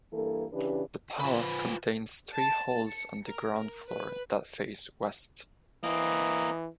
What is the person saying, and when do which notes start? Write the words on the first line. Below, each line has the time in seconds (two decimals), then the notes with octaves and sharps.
The palace contains three halls on the ground floor that face west.
0.13 G2 E3 A#3 A4
0.52 C#3 E3 D4 G4 B4
1.20 F3 B4
2.34 A5
2.90 C#7
3.26 A#4
3.89 B4
5.84 E3 A#3 C4 D#5